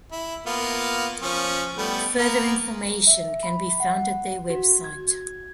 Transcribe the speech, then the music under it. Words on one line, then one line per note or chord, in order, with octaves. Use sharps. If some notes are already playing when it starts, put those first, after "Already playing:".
Further information can be found at their website.
E4
A#3 B3 F4
F3 C#4
G3 A3 B3
A#3 B3 A#4
E5
B5
F#5
F#4
G#6